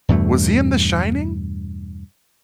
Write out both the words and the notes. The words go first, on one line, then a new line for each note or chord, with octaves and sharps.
Was he in The Shining?
E2 G2 B2 A3